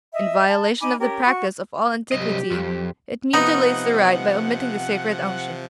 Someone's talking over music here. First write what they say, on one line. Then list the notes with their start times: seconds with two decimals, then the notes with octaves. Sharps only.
In violation of the practice of all antiquity it mutilates the rite by omitting the sacred unction.
0.12 D#5 E5
0.48 A5
0.80 D#4 G#5 B5 D6
0.99 C#4 G4 A#4
1.25 F#4 C#6
2.12 C2 F#3 G4 D#5
2.51 F2
3.33 C3 F3 B3 D#4 F#5